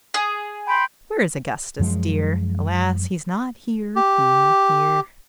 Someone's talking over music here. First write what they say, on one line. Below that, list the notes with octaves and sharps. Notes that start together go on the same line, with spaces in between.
'Where is Augustus dear? Alas! he's not here, here, here.'
G#4
G5 B5 C6
F#2 F3 G#3
G4